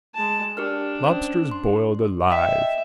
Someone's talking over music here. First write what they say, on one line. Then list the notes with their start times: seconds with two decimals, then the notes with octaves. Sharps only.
Lobsters boiled alive.
0.15 G#3 A5
0.57 D4 G4 A#4 F6
1.04 C#4 C5
1.51 C6
2.30 D#5 E5 G5 B6